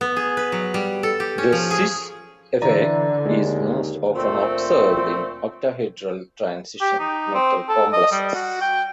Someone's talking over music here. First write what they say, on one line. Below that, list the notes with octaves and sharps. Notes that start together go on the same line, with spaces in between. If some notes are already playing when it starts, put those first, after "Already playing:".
The cis effect is most often observed in octahedral transition metal complexes.
B3
G#4
B4
F#3
G3
A4
G4
C#4
F3
G#4
D3 E3 D5 A#5
D#2 G#3
D2 A#2 F3 A3 C4
G4
D#4
C4
A4
D#5
G3
F#4
G5